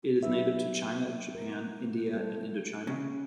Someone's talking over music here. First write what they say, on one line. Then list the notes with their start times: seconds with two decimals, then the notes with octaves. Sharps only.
It is native to China, Japan, India, and Indochina.
0.23 F#3 B3 D#4 G4 B4 E5
1.35 A#4
2.13 G3 A4 C5
2.87 C#3